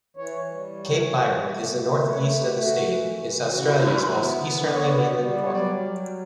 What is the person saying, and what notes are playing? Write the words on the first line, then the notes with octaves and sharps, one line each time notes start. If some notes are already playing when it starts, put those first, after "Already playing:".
Cape Byron, in the north-east of the state, is Australia's most easterly mainland point.
E3 C#5
G3
E3 C#5
B3
A3
A3
C#5
A3 B4
G4
A3
F#4
E3
E3
C#3 F#4
E4
D4
E3
E4
F#4
B3 E4
D3
C#5
B3 D5
D5
G3
D5
C#5
F#3 D5
F#3